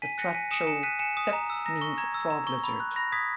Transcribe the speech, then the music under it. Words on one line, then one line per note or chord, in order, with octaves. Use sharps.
Batracho-seps means frog-lizard.
G#5 B6 D#7
F#6 A#6 C#7
G#5 B6 D#7
D#6 C#7 E7
G#5 C#7 E7
F#6 B6 D#7
G#5 C#7 E7
D#6
A#5
E6
A#5 A#6
C#6
A#5 G#6
E6
A#5
C#6
B5
F#6
B5 A#6
D#6 G#6 B6